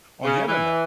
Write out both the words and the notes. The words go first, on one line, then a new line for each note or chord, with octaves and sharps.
on the Internet."
C#3
E3